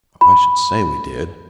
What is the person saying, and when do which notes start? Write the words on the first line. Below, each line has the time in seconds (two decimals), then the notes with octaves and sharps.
"I should say we did?"
0.21 B5